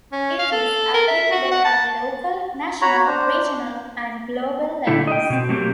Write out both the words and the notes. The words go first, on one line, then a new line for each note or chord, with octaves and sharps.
It is applicable at local, national, regional and global levels.
C#4
F5
A4
A#4
E5
F#4
F#5
A5
F#4 C#5 A#5 B5
D4 C5
A#2 D3 A3 E4
D#5 G5
B2 C4
F#3 A3 A#3 C4 G4